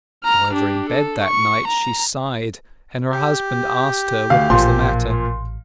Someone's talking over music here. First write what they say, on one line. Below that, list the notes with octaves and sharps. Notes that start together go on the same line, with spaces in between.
However, in bed that night she sighed, and her husband asked her what was the matter.
A#5 F6
D4 G4
A4
C#6
A#5
G4
D2 F5
A1 A#2 F3 C6